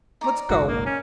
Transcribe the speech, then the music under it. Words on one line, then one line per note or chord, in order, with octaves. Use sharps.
"Let's go."
D#4 D5 A#5
F#1 B1 G#2 F#4
A#3
C#4